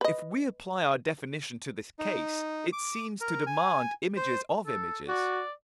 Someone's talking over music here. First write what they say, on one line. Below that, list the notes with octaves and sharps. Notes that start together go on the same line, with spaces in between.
If we apply our definition to this case, it seems to demand images of images.
B4 D#5
D#4
D6
A#4
G#5
C5
A4
F#4 D5